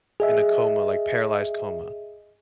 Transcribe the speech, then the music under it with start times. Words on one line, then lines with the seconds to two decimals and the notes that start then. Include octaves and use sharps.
in a coma, like, paralyzed coma.
0.20 G#4 D#5 E5